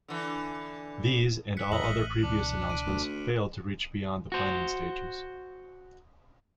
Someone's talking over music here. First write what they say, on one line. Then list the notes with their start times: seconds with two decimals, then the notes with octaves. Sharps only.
These, and all other previous announcements, failed to reach beyond the planning stages.
0.08 D3 E3
1.57 F#6 B6 C#7
1.72 F2 D#5 E5 B6 F#7
1.84 A1 F6 C#7 D#7
2.23 C#2 B2 E3 D4 D6
2.70 D7 D#7
2.86 D2
4.32 F#4 C5